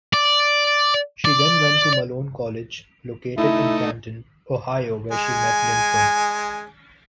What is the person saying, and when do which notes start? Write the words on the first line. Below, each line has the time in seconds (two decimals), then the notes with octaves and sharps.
She then went to Malone College, located in Canton, Ohio, where she met Linford.
0.13 D5
1.25 D5
3.38 A3 D#4 E4
5.12 G#3 G#5